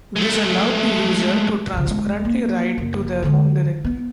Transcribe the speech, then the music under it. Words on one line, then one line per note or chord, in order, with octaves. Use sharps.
This allowed the user to transparently write to their home directory.
G#3 A3
G2 C#3
E1 G#3
A#3
F#1
D3 G#3
B3